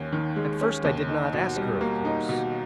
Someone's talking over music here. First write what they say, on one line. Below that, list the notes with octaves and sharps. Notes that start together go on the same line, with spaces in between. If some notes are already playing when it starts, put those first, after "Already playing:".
At first I did not ask her, of course.
Already playing: D#2 C#4
D#3
G#3
C#4
D#2
D#4
B2
G3
A#3
D#4
B2